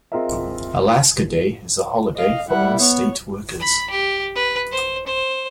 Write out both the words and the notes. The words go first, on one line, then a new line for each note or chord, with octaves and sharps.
Alaska Day is a holiday for all state workers.
C4 F4 G#4 A#4 D#5 E5
D#5 F5
G3 E4 F#5
B3 C#5
B5
G4
B4
C5
C5